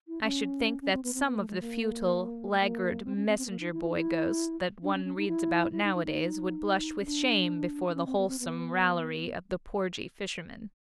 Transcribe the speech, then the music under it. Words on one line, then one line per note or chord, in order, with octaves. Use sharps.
I should think that some of the futile, laggard messenger-boy ghosts that one reads about nowadays would blush with shame before the wholesome raillery of the porgy fisherman.
E4
C#4
C#4
C4
B3
C4
B3
A3
G#3
A#3
A3
A#3
C4
C#4
C4
C4
B3
A#3
D#4
E4
F4
D#4
E4
D4
C#4
C#4
D#4
E4
E4
D#4
D#4
D#4
C#4
D4
D4
C#4
C4
B3
C4
B3